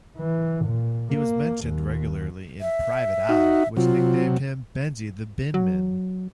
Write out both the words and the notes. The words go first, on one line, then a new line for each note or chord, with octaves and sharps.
He was mentioned regularly in "Private Eye", which nicknamed him 'Benji the Binman'.
E3
A#2
A#3
D#2
E5
D#4 F#4
C3 F#3 F4
F#3